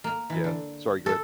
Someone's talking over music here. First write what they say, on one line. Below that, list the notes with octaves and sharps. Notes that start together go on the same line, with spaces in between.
yeah, sorry, go ahead.
A#3
E3
D3
A4